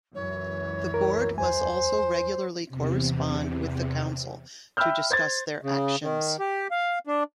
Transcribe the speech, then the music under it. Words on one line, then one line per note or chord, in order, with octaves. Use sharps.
The board must also regularly correspond with the council to discuss their actions.
C#2 F#2 E3 C#5
A#4
E2 C5 G#5
E2 C3
E5 G5 B5 E6 F6 G6
C5 G#6 A6
C#3
D#3
G4
F5
D4